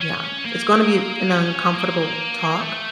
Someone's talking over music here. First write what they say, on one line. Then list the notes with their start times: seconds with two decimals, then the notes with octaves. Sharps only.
Yeah, it's gonna be an uncomfortable talk
0.01 C#4
0.45 A#3
1.31 C#4
1.74 A#3
2.60 A3